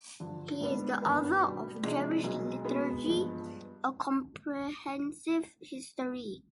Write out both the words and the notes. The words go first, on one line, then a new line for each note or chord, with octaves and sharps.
He is the author of "Jewish Liturgy: A Comprehensive History".
G2 D3 F3
G#2 G3 B3 D4
G1 G2 D#3 B3
B2 G3 B3 D4
C3 F3 G#3 D4
B1 B2 G#3
B2 G#3 B3
G2 F3 G#3 B3